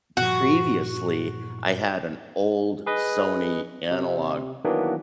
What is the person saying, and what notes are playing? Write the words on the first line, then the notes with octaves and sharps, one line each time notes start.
previously, I had an old Sony analog
G2 A#2 F3 F#4
G#4 B4 D#5
C3
D#3 E3 F#3 A#3 B3 D4